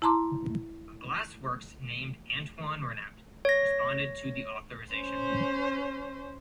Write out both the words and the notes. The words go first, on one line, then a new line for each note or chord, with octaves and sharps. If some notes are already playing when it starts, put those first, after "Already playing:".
A glassworks named Antoine Renaut responded to the authorisation.
E4 A5 A#5 C6 D6
C#5 A#6
C#4 C5